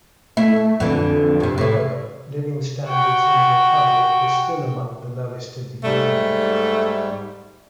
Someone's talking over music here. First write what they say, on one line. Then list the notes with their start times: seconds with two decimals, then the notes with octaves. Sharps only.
However, living standards in the republic were still among the lowest in the Union.
0.37 A3 E4
0.80 F2 D3 E3
1.40 G2 C3
1.58 A2 E3
2.88 F#4 G5
5.84 G#2 G3 A3